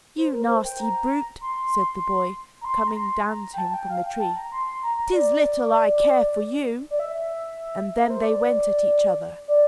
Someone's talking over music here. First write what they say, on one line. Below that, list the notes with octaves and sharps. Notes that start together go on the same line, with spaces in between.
"You nasty brute," said the cowboy, coming down to him from the tree, "'tis little I care for you;" and then they went at each other.
C5
A#4
C5
G5
A#5
C6
A#5
C6
A#5
C6
A#5
G5
A5
A5
G5
F5
G5
A5
A#5
C6
C6
A#5
A#5
D5
D5
E5
A#4
C5
D5
D5